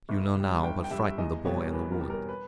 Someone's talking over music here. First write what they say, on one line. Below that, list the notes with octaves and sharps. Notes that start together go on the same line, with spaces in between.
You know now what frightened the boy in the wood.
G1
G2 G3
G1 G5
G5
G2 G3 E5
E5
E2 D#5
B2 G3 C#5
A#4
E2 B4
A#4
B2 G3
A#4
B4